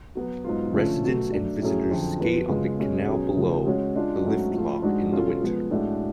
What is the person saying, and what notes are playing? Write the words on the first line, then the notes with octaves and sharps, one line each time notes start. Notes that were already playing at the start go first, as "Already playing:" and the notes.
Residents and visitors skate on the canal below the lift lock in the winter.
F#3 B3 F#4
G#2 F#3 B3 F4
D3 F3 A3 C#4 F4
B2 F#3 A3
F#3 A3 D4
A2 F#3 C#4 G#4
F2 D3 F#3
F2 F3 B3 F#4 B4
C#3 G#3 B3 F4
B2 G#3 C#4 G#4 C#5
B2 F#3 C#4 G#4 C#5
C#3 F3 A3
G#3 C#4 F#4 C#5
G#3 D4 F4
G#2 F#3 A3 C#4 F#4
F3 A3 F4
G#2 G#3 D4 F#4
B2 F#3 C#4 F4 A4
F3 G#3 B3
A2 G#3 D4 F#4